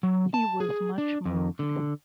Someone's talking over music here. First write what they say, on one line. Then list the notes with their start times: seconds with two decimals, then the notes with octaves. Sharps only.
He was much moved.
0.03 F#3
0.34 A5
0.60 G#4
0.98 D4
1.25 F2
1.59 D3